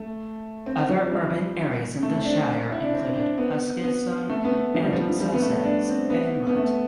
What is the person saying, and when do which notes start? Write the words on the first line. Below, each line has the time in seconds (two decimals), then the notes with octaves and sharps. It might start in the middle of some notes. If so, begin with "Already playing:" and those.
Other urban areas in the shire included Huskisson and Sussex Inlet.
Already playing: A3
0.66 C4
0.89 F3
1.12 G3
2.03 A3
2.16 C4
2.25 D4
2.72 E4
2.82 D4
2.93 C4
3.15 D4
3.38 B3
3.84 B3
4.29 A3
4.45 B3
4.52 A3
4.74 F3
4.83 G3
4.93 F3
5.09 F3
5.20 G3
5.33 B3
5.42 A3
5.64 D4
5.88 C4
6.10 B3
6.47 B3
6.56 A3